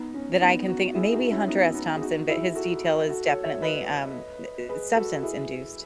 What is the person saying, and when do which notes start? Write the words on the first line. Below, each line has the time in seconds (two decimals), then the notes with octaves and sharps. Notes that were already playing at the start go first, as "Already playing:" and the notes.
that I can think maybe Hunter S. Thompson, but his detail is definitely, um, eh eh, substance-induced,
Already playing: B3 D#4
0.14 C#4
0.41 B3 D#4
0.68 D#4 F#4
0.95 E4 G#4
1.12 D#4 F#4
1.30 C#4 E4
1.48 B3 D#4
1.75 B3 D#4
1.96 G#4
2.02 D#4 F#4
2.28 E4 G#4
2.55 F#4 A4
3.09 F#4 A4
3.26 A4 C#5
3.44 C#5 E5
3.62 B4 D#5
4.69 G#4 B4
4.96 F#4 A4
5.23 E4 G#4